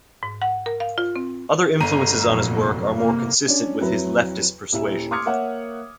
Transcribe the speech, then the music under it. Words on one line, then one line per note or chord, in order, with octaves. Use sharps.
Other influences on his work are more consistent with his leftish persuasion.
G#2
F#5
A#4
F5
F4
C4
G1 A#5 D#7
F1 A#2 F#3
C3 A#3
C#4 D4
F2 F#3 E4 B4
D#1 E4 E5
C6 D6 D#6 F6 G#6 C#7
A#3 C#5 E5 F#5